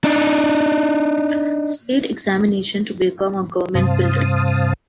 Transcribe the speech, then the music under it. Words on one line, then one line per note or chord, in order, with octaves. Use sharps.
State examination to become a government builder.
D4 D#4
G2 C3 C5 F5 A5 D#6